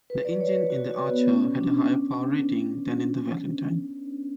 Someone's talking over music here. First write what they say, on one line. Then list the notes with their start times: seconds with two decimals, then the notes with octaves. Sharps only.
The engine in the Archer had a higher power rating than in the Valentine.
0.10 B4
0.25 D5
0.40 C#5
0.55 B4
0.70 F#4
0.90 F#4
1.10 B3
1.31 C#4
1.61 D4